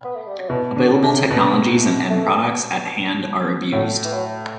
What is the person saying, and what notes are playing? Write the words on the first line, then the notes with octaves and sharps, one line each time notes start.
Available technologies and end products at hand are abused.
B3
A3
G3
F#3
B2 E3
D3
F#3
C3
B2
A3
A2 F#3
E3
F#3